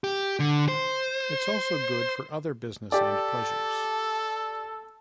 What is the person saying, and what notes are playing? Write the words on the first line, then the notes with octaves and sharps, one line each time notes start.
It's also good for other business and pleasures.
G4
D3
C5
G4 A4 D5